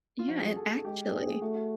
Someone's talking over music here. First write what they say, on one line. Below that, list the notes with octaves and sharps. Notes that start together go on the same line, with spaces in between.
Yeah. And, actually"
F4
F3 F#4
G#4
A4
A4
G#3 G4
A3 G#4
G#4
A3 F#4
F#4